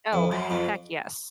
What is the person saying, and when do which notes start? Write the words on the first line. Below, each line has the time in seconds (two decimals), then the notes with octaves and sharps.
Oh, heck yes.
0.13 F2
0.32 F#2
0.50 F2